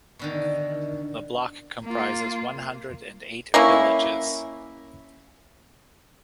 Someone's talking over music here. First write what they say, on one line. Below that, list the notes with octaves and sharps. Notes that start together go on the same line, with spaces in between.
The block comprises one hundred and eight villages.
B2 D3 D#3
A#3 F4
A#3 C#4 E4